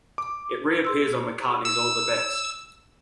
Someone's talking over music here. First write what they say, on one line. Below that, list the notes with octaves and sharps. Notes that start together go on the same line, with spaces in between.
It reappears on McCartney's All the Best!
D6
G#4 C6 E6
E6